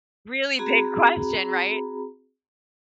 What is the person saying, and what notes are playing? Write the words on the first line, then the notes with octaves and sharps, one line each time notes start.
Really big question. Right?
C4 F#4 G#4 A#5 B5